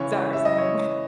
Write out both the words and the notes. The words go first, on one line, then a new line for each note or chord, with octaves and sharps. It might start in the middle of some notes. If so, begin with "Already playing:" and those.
Is that what you're saying?
Already playing: C#3 E3 C#5
E5
D#5
C#5